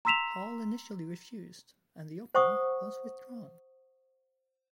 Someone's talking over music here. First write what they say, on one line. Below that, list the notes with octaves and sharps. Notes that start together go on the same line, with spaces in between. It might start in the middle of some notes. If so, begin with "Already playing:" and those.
Hall initially refused, and the opera was withdrawn.
A#5 C6 E6 B6 E7 F7
C5 F#5 C#6 D#6